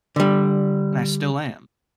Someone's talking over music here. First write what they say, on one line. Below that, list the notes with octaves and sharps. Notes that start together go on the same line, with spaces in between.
and I still am.
D3 G3